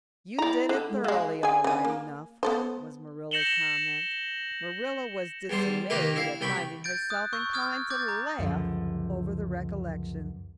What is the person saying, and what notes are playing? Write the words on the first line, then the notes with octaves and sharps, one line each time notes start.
"You did it thoroughly, all right enough," was Marilla's comment. Marilla was dismayed at finding herself inclined to laugh over the recollection.
E4 D5 A#5
D3
G#3
F#3 G#3 F5
G#4 G#5
C#3 G#5
A#3
B3 A4 C5
G6 A#6 C#7 E7 F#7 G7
E2 G3 C5
C3 D#3 A#3 G4 B4
E4 F5
C2 G5 B5 C#6
G6 A6 D7
D#6 F#6
C#6 E6 G6
D#6 F6 G#6
D6 G6 A6
A#5
C#2 F#2 D3 F3